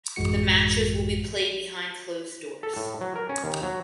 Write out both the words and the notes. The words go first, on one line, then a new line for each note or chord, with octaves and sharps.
The matches will be played behind closed doors.
A1 F#2 G#3 F#4 C#7
A4
A2
F#3
A#4
C#4
D#2
F#3